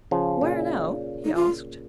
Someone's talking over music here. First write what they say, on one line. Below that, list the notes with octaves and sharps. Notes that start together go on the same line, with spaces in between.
"Where now?" he asked.
C#3 F3
A#2 C#3
D#4
F4